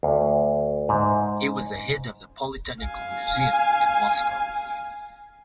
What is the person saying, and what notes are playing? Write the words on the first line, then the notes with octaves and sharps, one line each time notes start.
He was a head of the Poly-Technical Museum in Moscow.
D2
G#2
F5 G#5